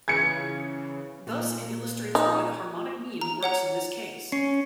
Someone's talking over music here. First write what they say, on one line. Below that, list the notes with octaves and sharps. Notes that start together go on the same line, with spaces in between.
Thus it illustrates why the harmonic mean works in this case.
C#3 E3 G#6 C#7
A#2
D#4
A#5
C#5 F#5 A#5
C#4 C7